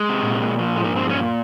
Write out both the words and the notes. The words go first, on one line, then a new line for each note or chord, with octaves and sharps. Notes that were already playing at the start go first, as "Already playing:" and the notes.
I know, yeah.
Already playing: G#3
C3
A#2
F3
G#3
A#2 A#3
C4
A#2 C#4